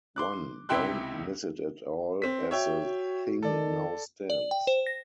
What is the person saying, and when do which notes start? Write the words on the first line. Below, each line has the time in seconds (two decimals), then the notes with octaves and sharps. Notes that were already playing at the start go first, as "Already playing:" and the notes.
One don't miss it at all as the thing now stands.
0.16 C6 D6 F#6
0.69 C#2 C3 E4 G4 C6 F#6
2.22 C4 B6
2.51 F#4 C#5 E5 G5
2.84 F#4
3.43 D#3 A4 D5
4.30 D5
4.51 G5
4.67 C5
4.87 A#6